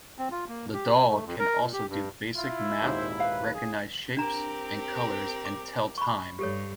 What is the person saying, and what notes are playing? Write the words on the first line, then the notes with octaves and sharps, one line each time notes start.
The doll can also do basic math, recognize shapes and colors, and tell time.
C4
F4
A#3
G4
C3
A3
F2
A#4
A#2
G4
G2
E4 F4
G#1 D#2 A#2 C5
B4 F5
G#4
C4 D4 G4 A#4 A#5
D6
B5 C#6
G2 G4 A4 C#5